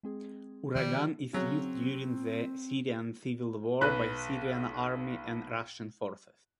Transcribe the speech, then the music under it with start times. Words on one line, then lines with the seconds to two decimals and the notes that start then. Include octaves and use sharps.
Uragan is used during the Syrian Civil War by Syrian Army and Russian forces.
0.03 G#3 C4 G#4
0.75 D#3 F3 G3
1.33 C#3 F#3 C4
3.81 B1 B4 F#6